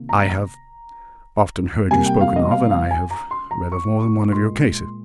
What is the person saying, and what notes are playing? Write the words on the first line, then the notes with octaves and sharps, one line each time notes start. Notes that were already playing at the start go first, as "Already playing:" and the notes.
I have often heard you spoken of, and I have read of more than one of your cases.
Already playing: C3 D#3 A#3
A#5
C3 G3 A#3 G#5
G5
F5
D#5
F5
F5
G#5
A#5
C6
A#5
C#6
C#6
A#2 G#3 C6